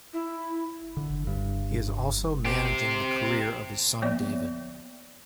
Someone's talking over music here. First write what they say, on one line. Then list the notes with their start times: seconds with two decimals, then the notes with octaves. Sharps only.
He is also managing the career of his son David.
0.13 E4
0.97 D3
1.27 G2
2.45 C4 G4
4.02 F3 A#3 B3 C#5 D5 E5